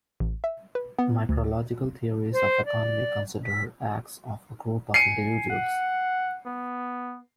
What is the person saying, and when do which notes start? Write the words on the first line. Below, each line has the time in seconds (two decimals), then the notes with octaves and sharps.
Micrological theories of economy consider acts of a group of individuals.
0.20 A1
0.44 E5
0.75 B4
0.99 B3
1.29 D2
2.33 C5
2.65 D5
3.45 B6
4.94 G#5 C7 C#7 D#7
5.50 F#5
6.46 B3